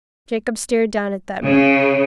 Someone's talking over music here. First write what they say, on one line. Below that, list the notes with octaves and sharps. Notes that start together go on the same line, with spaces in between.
Jacob stared down at them.
C#3